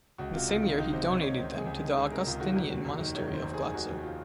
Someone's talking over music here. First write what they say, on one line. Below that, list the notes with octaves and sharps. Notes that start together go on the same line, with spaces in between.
In the same year he donated them to the Augustinian monastery of Glatzer.
C#2 F#4
C3 F4
C#2 F4
D#3 F4
C#2 D#4
C3 C5
C#2 C#5
D#3 C#5
C#2 C5
C3 G#4
C#2
D#3
C#2 G#4
C3 A#4
C#2 F4
D#3 F#4
F1
D#2
F1
D#3
F1 C#5
D#2 C5
F1
G#4
D#3
F1 F#4
D#2
F4